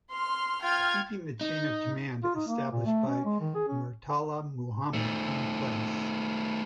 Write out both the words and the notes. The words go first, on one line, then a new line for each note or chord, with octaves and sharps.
Keeping the chain of command established by Murtala Muhammed in place.
C6 F6
F4 G5 F6 G#6
D#4
F4
D#4
A#3
A#2
A3
C#4
G#3
D#3
G#4
C#4
D#3 A3